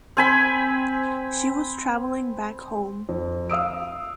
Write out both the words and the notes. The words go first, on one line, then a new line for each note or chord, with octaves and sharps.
She was travelling back home.
C4 G#5 B5
F2
F5 D#6 E6 D7